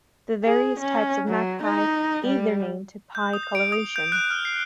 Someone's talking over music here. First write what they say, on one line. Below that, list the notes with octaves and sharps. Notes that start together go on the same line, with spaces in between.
The various types of magpie gave their name to pied coloration.
G#4
C#4
F#3
D#4
G3
G6
D#6
D7
D#6
G6
F#6
F6
C7